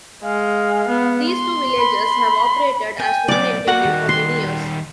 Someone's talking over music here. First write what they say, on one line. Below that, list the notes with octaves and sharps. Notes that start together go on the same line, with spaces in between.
These two villages have operated as one entity for many years.
G#3 F5
B3
C6
B5
G5 G#5
B1 D5 D6
A#3 F#4 A#4 F#5
D#3 G3
C6